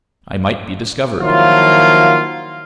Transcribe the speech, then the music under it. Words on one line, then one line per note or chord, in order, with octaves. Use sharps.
I might be discovered.
D#3 F3 F#3 A#3 E4 F4